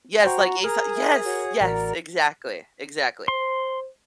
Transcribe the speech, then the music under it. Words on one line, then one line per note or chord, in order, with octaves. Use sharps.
Yes, like, Aeso yes, yes, exactly, exactly,
F#4 C5 G5 A#5
F#4
G#4 A#4
E5 G#5
F#4 C#5
A1 F#4 A#4 D5 A#5
C5 C6